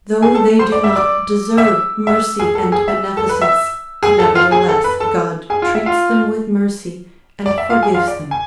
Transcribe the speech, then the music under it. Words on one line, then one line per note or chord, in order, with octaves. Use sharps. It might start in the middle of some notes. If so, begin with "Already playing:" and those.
Though they do not deserve mercy and beneficence, nevertheless, God treats them with mercy and forgives them.
G#4 G#5
A4 A5
C5 C6
D5 D6
E5 E6
D5 D6
E5 E6
E5 E6
G#4 G#5
A4 A5
G#4 G#5
E5 E6
A4 A5
B4 B5
E5 E6
G#4 G#5
A4 A5
F4 F5
G#4 G#5
A4 A5
B4 B5
A4 A5
G#4 G#5
F4 F5
E5
F4 F5
D5
E5
F4 F5
G#4 G#5
F4 F5
D5
G#5